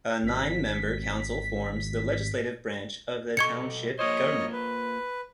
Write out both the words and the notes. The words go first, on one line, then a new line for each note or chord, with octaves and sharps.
A nine-member council forms the legislative branch of the township government.
G#1 B6
B2 A4 D#5 C#6 G#6 C#7
A#3 F4 C5 C#5 D#5
B4